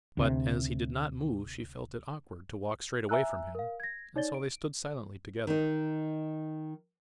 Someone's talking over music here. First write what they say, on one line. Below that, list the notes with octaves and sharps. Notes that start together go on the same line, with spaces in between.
But as he did not move she felt it awkward to walk straight away from him; and so they stood silently together.
D2 C3
E5 G#5 A#5 E6 F#6
A#4 F5
G#6 A#6
D#4 C#5 D5 A6 G7
D7
D#3 D#4